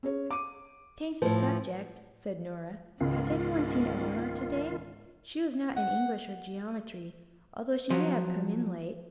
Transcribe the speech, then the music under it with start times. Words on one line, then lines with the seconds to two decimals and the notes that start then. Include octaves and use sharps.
"To change the subject," said Nora, "has any one seen Eleanor to-day? She was not in English or geometry, although she may have come in late."
0.03 C#4 G#4 C#5
0.31 D6 D#7
1.22 A2 F3 B4
3.00 C#2 G#2 D#3 B3 C#4 F4
5.77 F#5
7.90 F3 F#3